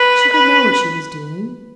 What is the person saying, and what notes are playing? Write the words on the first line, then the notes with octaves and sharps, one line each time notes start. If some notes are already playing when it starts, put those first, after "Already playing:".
She would know what she was doing.
Already playing: B4
B4